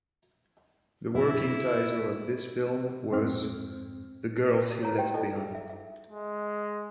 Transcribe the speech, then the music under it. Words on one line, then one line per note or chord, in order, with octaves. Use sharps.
The working title of this film was "The Girls He Left Behind".
F#2 B2 E4
F2 G#2 C4 F6
C#5 A#5
G4 G5
D#4 E4 A4 D5 D#5
G#4
E5
E5
G#3